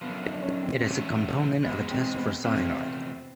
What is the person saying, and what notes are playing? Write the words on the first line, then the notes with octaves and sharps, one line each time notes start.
It is a component of a test for cyanide.
F#2 D3 F3 B3
D#4
D4
C#4
C4
E2 B2 F#3 A3
G#2 E3 G#3 B3
C4
B3
E2 C3 F3 A3 C4